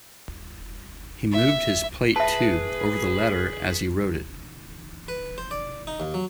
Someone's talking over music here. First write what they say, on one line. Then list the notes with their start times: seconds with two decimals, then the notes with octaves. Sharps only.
He moved his plate, too, over the letter as he wrote it.
1.32 E5
2.16 G#4 B4 E5 A5
5.08 B4
5.38 C5
5.51 D5
5.87 D#4
6.00 D#2
6.14 F#3